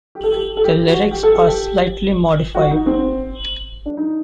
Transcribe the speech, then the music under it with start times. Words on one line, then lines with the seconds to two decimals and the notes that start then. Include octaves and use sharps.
The lyrics are slightly modified.
0.15 G4
0.23 A4
0.32 G4
0.57 A4
0.64 G4
0.87 F#4
1.11 G4
1.23 A4
1.35 A4
1.47 G4
2.55 F#4
2.71 D#4
2.86 C4
3.86 D4
3.97 D#4